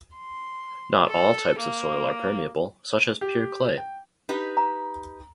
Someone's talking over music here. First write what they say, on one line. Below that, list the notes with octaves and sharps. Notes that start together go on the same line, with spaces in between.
Not all types of soil are permeable, such as pure clay.
C6
A4
A#3
G4
G5
D#4 G4 B4
A#5